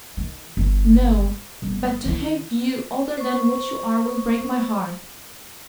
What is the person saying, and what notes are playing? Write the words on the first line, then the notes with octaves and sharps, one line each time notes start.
'No! but to have you other than what you are will break my heart.
D#3
G1
G1 G2
D#3 E4
C5 C#6